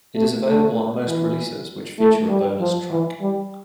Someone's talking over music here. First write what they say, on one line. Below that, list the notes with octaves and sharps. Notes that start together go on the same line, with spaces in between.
It is available on most releases which feature a bonus track.
A3
A3
E3
A3
G3
F3
E3
G3